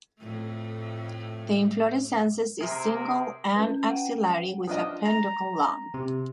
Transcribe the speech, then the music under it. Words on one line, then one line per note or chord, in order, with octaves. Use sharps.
The inflorescences is single and axillary with a peduncle long.
F2 A2 A3
C3 G#4 A#4 C5 E5
C#4 B4
F#5 G5
F3 D4 D#5 D#6 F6
A#5
C3